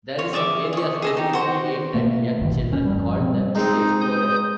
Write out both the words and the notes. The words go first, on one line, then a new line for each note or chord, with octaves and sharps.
There is an area specifically aimed at young children called, The Big Explorer.
F4 C#5
G#4 D5 E5 D6
G#4 C#6
G#4 A4 D#5
D#4 G4
F#4 C5 C#6
B2 A3 A#3
D#1 G#1 G2 D#3
B2
E1 C#4
G2 F3 G3
B2 G3 C4
G#3 C4 D#4
D#6 G6